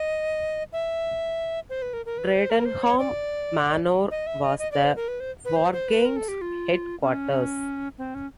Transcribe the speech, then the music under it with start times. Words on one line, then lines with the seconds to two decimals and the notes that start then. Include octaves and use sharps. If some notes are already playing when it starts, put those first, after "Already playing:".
Bradenham Manor was the Wargames' Headquarters.
Already playing: D#5
0.73 E5
1.70 C5
1.82 B4
1.93 A#4
2.06 A#4
2.18 B4
2.34 C5
2.50 A#4
2.66 C5
2.83 C#5
2.99 D5
4.11 D#5
4.27 E5
4.44 D#5
4.59 D#5
4.72 D5
4.84 C5
4.96 A#4
5.08 B4
5.20 C5
5.45 B4
5.56 C5
5.72 C5
5.89 B4
6.05 A#4
6.16 A4
6.28 G4
6.41 F4
7.01 C#4
7.98 C4
8.15 C#4